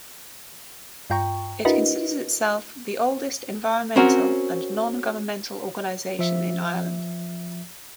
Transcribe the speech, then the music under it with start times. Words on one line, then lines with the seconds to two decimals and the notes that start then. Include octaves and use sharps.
It considers itself the oldest environmental and non-governmental organisation in Ireland.
1.10 G2 F4 G5 A#5 C#6
1.65 D4 E4 F#4 A#4 B4 D#5
3.96 C4 C#4 F#4 A#4
6.19 F3 E5